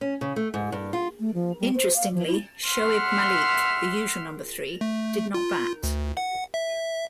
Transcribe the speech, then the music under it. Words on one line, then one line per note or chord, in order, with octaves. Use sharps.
Interestingly, Shoaib Malik - the usual number three - did not bat.
C#4
C#3
A3
G#2
G2
F4
A3
F3
G3
C5
F5
F3
E4
E5 F#5 C6 F6
A3
F4
D2
F#5
E5